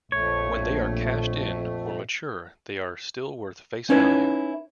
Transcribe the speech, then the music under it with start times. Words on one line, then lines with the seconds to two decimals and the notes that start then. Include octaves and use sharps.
When they are cashed in or mature they are still worth face value.
0.12 A#1 F2 A3 C#5
3.90 C#4 D#4 E4 B4 C#5